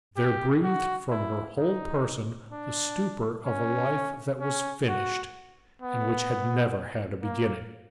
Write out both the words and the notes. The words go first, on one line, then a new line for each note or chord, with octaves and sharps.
There breathed from her whole person the stupor of a life that was finished, and which had never had a beginning.
G4
F#4
E4
D#4
D4
C#4
C#4
F#4
B3
A#3